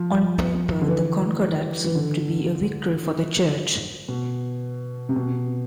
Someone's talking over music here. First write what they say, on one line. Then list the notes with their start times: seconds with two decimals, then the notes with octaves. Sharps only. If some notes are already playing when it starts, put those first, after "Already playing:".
On paper the concordat seemed to be a victory for the Church.
Already playing: F3
0.81 D3
0.88 E3
1.84 E3
1.95 D3
4.09 B2
5.09 C3
5.16 B2